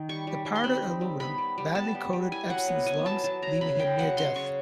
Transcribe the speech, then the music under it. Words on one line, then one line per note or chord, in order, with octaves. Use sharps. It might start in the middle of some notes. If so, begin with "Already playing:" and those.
The powdered aluminum badly coated Ebsen's lungs, leaving him near death.
Already playing: D#3
G3 C#6
G3
G3
C6
C4 B5
D#4
G3
B3 B5
G3
G3
B3 A5
G3
G3
E4 G#5
F#3 F#5
B3
B3 G#5
F#3 A5
F#3 A5
F#3 A#5
C#3 B5
C#3 G5
F#3 F#5
C#3 C6
C#3 C#6